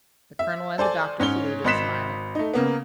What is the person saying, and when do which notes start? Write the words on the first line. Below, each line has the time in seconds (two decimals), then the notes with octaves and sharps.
The colonel and the doctor saluted, smiling.
0.39 E5
0.78 A4 C5 D5 G#5
1.20 G#2 C#4 C#5 G7
1.64 G#1 D#5 C6 F#6 B6 E7
2.35 A3 D#4
2.54 C#3 A#3 B3